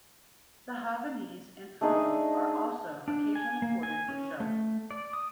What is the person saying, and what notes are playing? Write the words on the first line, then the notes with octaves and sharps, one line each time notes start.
The Havanese and Poodle are also occasionally corded for showing.
A3 D4 D#4 G#4
D4
G#5
A#3
G#5
C#4
A3
D5
D#6